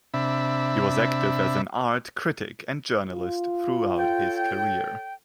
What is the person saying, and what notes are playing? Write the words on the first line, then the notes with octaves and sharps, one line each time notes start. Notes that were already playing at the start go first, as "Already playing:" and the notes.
He was active as an art critic and journalist throughout his career.
C3 D4 E5 B5
F4
A4 C#5 G5